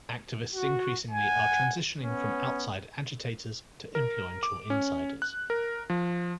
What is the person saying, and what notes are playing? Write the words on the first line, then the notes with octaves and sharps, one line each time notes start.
Activists increasingly are transitioning from outside agitators to influential insiders.
F#4
F#5 G#5
B3 C#4
A#4
D6
C#4
F#6
A#4
F3